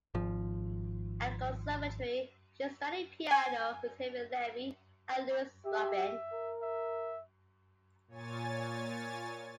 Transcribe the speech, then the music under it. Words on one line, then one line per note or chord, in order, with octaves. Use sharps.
At the Conservatory, she studied piano with Heniot Levy and Louise Robyn.
G#1 F3
G#5
G4 E5
A#4
E5
A#2 C#5 G#5 A6